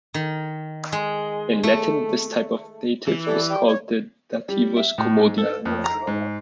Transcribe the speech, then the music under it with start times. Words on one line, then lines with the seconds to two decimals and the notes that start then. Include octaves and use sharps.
In Latin this type of dative is called the "dativus commodi".
0.14 D#3
0.92 G#3
1.63 A3
3.08 E3
3.26 G3 A4
3.50 G3 G5
3.67 C#5
4.49 G3
4.77 E5
4.98 A2
5.17 G#2
5.38 A4
5.65 F2
5.84 A#5
6.07 G#2